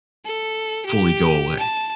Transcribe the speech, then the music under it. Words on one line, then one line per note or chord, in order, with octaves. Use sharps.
fully go away.
A4
G4
A5